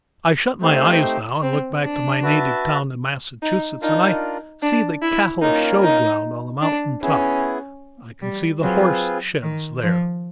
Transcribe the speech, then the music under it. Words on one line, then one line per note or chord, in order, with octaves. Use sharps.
I shut my eyes now and look back to my native town in Massachusetts, and I see the cattle-show ground on the mountain-top; I can see the horse-sheds there.
A3 C4 D#4 G4 C5
C4
D4
F#4 B4 E5 A5
D#4
D4 D#4 F4 A#4
D4
E4
A#3 C#4 D#4 F4 A#4
D#4
D4
B3 C#4 E4 G#4
G3
F#3 C4 F4 G#4 B4
D#3
F3